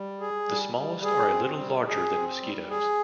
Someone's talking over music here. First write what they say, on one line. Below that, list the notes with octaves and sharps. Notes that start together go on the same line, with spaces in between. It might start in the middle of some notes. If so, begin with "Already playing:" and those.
The smallest are a little larger than mosquitoes.
Already playing: G3
G#4
G3
G3
G#4
C4
G3
G#4
C4
G3
G#4